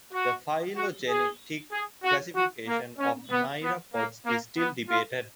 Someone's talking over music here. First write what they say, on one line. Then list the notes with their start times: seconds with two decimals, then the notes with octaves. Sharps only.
The phylogenetic classification of myriapods is still debated.
0.13 F#4
0.76 F#4
1.09 G#4
1.72 G#4
2.04 F#4
2.35 F#4
2.67 A#3
2.99 C#4
3.31 B3
3.62 B3
3.94 A#3
4.26 A#3
4.58 B3
4.89 F4